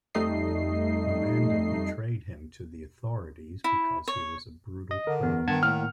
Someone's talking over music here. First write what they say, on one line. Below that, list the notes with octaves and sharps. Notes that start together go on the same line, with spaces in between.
Amanda betrayed him to the authorities because he was a brutal criminal.
F2 G3 A3 D#4 D#5 C7
E4
C#5
D#5
D3 A#4
E2 B3
G2 D#3 F#5 A5 G#6
A2 A#3 F6